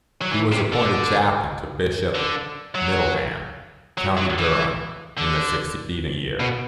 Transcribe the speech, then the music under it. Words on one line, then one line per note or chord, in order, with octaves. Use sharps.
He was appointed chaplain to Bishop Middleham, County Durham, in the succeeding year.
F#3
E3
C3
D3
D3
F#3
F#3
F#3
E3
D3
B2